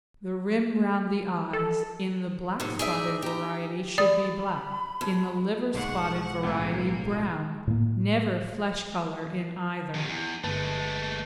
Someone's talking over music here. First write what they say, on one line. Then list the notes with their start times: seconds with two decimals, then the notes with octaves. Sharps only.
THE RIM ROUND THE EYES in the black-spotted variety should be black, in the liver-spotted variety brown--never flesh-colour in either.
1.53 A4
2.60 A2 C3 D#4
2.79 G#4 D5 E5
3.22 G4 A#5
3.98 D5 B5 D#6 A6
5.01 F2
5.75 B1 G#2 G#3 F#5 C#6
6.43 C#2 A2 A#3 B3
7.67 A2 A#3
9.94 C3 D#3
10.08 E2
10.44 G1 G#3 A3 B4 A5